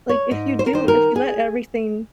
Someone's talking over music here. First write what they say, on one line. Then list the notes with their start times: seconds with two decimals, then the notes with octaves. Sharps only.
like if you do if you let everything
0.09 C#5
0.31 G#2 D#5
0.59 C5
0.66 A#4
0.73 D#3 C5
0.88 A#4
1.16 G#4